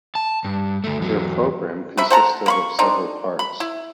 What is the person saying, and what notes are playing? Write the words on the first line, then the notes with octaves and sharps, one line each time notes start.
Their program consisted of several parts.
A5
G2
D2 A3
E2 F#3
C3 D#3 E5 B5
C5 F#5 A5 A#5
A#3 B5 C#6
C4 D4 D#4
B5
E4